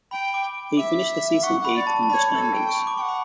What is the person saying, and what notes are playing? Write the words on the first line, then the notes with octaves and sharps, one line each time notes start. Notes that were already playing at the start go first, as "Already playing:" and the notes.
He finished the season eighth in the standings.
G5 B5
D6
E5 D6
F#5 C#6
F#5 B5
D5
A5
A5
C#5 D5 B5
C#5
A4
A5
G5
C#6
B5
D6
F#5 G5 C#6
B5